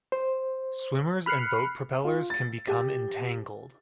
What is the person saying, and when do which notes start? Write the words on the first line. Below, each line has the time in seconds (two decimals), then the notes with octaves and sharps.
Swimmers and boat propellers can become entangled.
0.12 C5
1.26 B5 F6 F#6 C7 C#7
2.05 F4
2.30 A6
2.68 G4